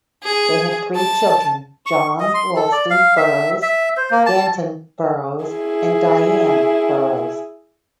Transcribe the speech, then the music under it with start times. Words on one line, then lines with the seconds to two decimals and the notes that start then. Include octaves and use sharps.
They had three children, John Ralston Burroughs, Danton Burroughs, and Dian Burroughs.
0.23 G#4
0.95 A5
1.86 C#6
2.20 D#5
2.34 C6
2.56 A4
2.72 D5
2.90 F5
3.17 E5
3.62 E5
3.97 C5
4.11 A#3
4.26 A5
5.46 E4 G#4